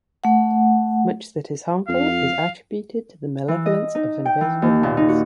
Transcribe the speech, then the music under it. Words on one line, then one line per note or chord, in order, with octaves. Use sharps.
Much that is harmful is attributed to the malevolence of invisible powers.
A3 F#5
F2 F5
E3
D#5
D#4
G5
E3
D#2
A#2
D#4
F#4